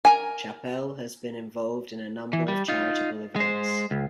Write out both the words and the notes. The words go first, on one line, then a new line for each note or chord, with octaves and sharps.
Chappelle has been involved in a number of charitable events.
A#4 G#5
E3
G3
D#4 F4
G#3 C5
C#2